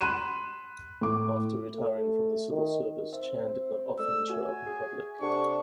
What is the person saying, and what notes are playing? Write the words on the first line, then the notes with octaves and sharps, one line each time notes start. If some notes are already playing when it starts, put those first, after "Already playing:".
After retiring from the civil service, Chan did not often show up in public.
B5 C6 F#6 D#7 E7
A2 D6
A3
D#3
C4 E5
A3 A4 D5 E6
F#4 C#5 E5 G#5
G#4
C3 D4 G4 A4 F#5 C#6